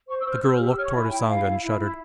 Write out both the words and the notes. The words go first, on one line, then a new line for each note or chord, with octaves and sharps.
The girl looked toward Usanga and shuddered.
C5 C#6
E6
C5
F6
C5 E6
F6
G4
E6
C#5 F6
C#6
E4
G#5
E4 G5
E4 F5
E4
E4
E4